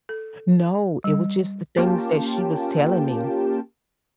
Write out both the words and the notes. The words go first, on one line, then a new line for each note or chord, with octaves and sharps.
No. It was just the things that she was telling me.
A4
G3
A#3 C#4 F4 G4 G5 A5